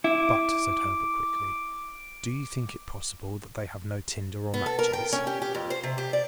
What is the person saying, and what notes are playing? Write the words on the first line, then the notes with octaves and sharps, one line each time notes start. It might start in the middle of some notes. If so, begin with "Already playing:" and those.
"But," said Herbert quickly, "do you think it possible that they have no tinder or matches?"
E4 D6
B3
A4
A#4
G5
C#4
G4
G4
F2
C5
C3
G4
D5